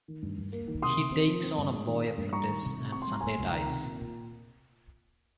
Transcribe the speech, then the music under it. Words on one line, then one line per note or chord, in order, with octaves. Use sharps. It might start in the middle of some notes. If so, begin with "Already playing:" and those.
He takes on a boy apprentice and Sunday dies.
D#3
G2
G2
A#3
D#3
C3 C6 D#6
C3
C4
F3
C4
G2
G#3
D#3
A#3
G2
G3 A#5 C#6
D#3
C3
C3
C4 C#6
C6
G3 A#5
A#3 G#5 C6
C#2
D#3 G5 A#5
C3
A#2
A#2